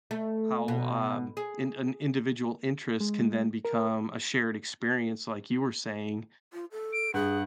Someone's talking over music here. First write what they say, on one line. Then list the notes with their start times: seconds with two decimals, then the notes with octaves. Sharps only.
how, um, an individual interest can then become a shared experience, like you were saying,
0.11 A3
0.68 B2
1.37 G#4
3.01 G#3
3.65 A#4
6.53 F4
6.72 A4
6.93 D7
7.14 G2 G#4 F#5